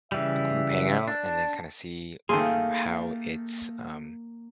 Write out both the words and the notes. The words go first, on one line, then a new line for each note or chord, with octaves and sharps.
a group hangout and then kinda see, you know, how it's, um,
C#3 E3 G3 E5
D4 A5
D#3 A3 A#3 G#4 C6